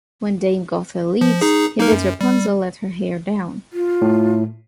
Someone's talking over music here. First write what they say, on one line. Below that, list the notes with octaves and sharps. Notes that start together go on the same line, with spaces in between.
When Dame Gothel leaves, he bids Rapunzel let her hair down.
F3
D#4 G#4
A#3 D#4 A#4
F#2
G3
F4
A2